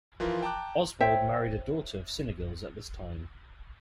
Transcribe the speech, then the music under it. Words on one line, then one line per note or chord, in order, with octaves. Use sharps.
Oswald married a daughter of Cynegils at this time.
E3 F3 F4 A#4
G5 A5 A#5 D6 F#6
C5 C#5 E5 G5